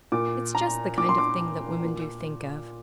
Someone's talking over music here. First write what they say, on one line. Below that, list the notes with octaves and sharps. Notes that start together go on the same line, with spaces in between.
"It's just the kind of thing that women do think of."
A#2 D6
A#5
A#2 D6
C6
D6
A#2